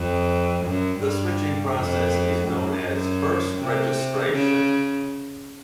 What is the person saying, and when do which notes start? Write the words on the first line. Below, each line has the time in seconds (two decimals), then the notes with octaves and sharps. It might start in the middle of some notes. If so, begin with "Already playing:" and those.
The switching process is known as first registration.
Already playing: F2
0.65 F#2
1.01 G2
1.75 F2
2.48 F#2
2.85 F#2
3.58 C3
4.31 C#3